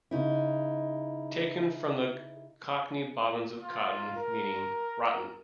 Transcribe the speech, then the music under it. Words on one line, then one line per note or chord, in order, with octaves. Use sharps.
Taken from the cockney "bobbins of cotton", meaning "rotten".
C#3 D#4 E4
F4
A#4